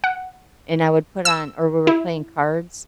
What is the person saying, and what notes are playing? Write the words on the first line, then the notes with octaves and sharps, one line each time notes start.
and I would put on or we were playing cards,
F#5
E6
E4